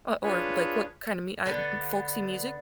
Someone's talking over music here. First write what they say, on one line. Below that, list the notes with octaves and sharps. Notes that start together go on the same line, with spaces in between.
Uh, or like what kind of me I folksy music?
D4 F4 G#4 B4 C#5
D3 B3